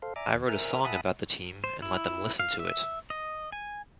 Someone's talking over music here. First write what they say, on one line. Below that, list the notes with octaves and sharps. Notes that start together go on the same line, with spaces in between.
I wrote a song about the team and let them listen to it.
A4 C5 F5
D5 E5 G#5 A#5 D6
D#2
A#4 E5 G#5 F6
E5 F#5 G#5 A5 B5 D#6
C5
E4
F5
E5
D#5
G#5